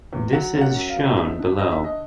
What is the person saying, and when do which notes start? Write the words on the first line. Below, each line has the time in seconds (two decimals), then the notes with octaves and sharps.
This is shown below.
0.13 E2
0.33 F#3 F#5
0.54 F#2
0.61 F#5
0.76 F#3
0.89 F5
0.96 F#2
1.17 D#4 E5
1.39 D3
1.59 D3 D#5
1.71 E5
1.80 D3 D#5